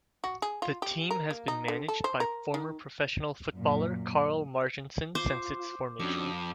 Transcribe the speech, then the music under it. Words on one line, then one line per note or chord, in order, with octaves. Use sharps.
The team has been managed by former professional footballer Karl Marginson since its formation.
F#4
G#4
F4
G4
A#4
A#3
D#4
D3
A4
C5
A#4
D#3
F#2 A#2
F4 C5 D6
F2 C#4 D4 F#4 D6